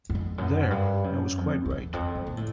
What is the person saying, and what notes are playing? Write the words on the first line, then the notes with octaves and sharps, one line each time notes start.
There I was quite right.
F#2
F2
F#2
G2
F#2
F2
F2
E2
F2
A#2
A#2
A2